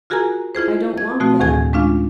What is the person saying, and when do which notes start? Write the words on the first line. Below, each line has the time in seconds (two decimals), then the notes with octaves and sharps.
I don't want that.
0.10 F4 F#4 G#4 A#4 G#5 A#5
0.55 E4 F4 G#4 C5
0.98 G#6
1.20 B2 F3 A3 C4 F#4
1.40 D2 A2 D#3 G#4 G#5 G#6
1.73 G#3 C#4 D4 F4 F5